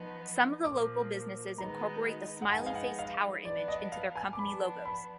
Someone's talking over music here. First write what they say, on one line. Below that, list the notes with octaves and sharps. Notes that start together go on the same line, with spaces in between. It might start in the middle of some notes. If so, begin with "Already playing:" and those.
Some of the local businesses incorporate the smiley-face tower image into their company logos.
Already playing: F3 B3 D#4
A#2 F3 A#3 D6
D#3 G#3 B3 D#4 A#5
F#5
F3 G#3 B3 D#4 G#5
F5
F#5
F5
F3 B3 D4 D5
D#5
F5
G#5
D6
F3 B3 D4 B5
B5